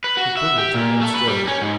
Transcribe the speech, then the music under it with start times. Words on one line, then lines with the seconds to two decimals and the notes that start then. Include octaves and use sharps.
The porter did not stir.
0.04 B4
0.17 F#4
0.37 E5
0.58 G4
0.74 A#2
1.02 A3
1.14 B4
1.27 G3
1.48 C#4
1.62 G#2